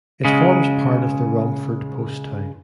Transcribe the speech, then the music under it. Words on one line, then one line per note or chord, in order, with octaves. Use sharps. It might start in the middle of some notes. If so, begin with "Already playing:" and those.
It forms part of the Romford post town.
C#3 G#3